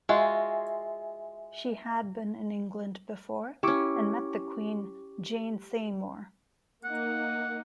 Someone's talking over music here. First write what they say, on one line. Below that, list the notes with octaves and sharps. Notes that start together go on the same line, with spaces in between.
She had been in England before and met the Queen, Jane Seymour.
G#3 F4 F#4 E5 G#5
C#4 E4 G4 C#6 D6
A#3 D#4 F#5